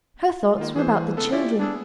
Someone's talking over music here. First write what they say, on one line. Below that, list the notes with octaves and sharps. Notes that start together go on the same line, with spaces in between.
Her thoughts were about the children.
D#3 A#3 F4
E3 G#4 C5
C#3 B3 A4
E4 F4 G4 D5
B3 D4 G#4 E6